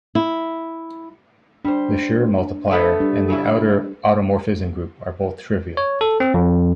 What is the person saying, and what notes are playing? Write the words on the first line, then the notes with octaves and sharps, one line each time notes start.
The Schur multiplier and the outer automorphism group are both trivial.
E4
G3 D4 C5
A3 B3 A4
G3 D4
C#3 E4
C#5
A4
C4
F2